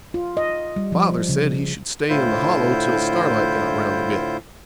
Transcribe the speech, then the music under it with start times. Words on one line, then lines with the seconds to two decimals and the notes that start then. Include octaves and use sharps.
Father said he should stay in the Hollow till Starlight got round a bit.
0.14 F4
0.37 D#5
0.76 G3
0.92 F3
1.29 C#3
2.09 A2 D3 E4 F4 C5 G6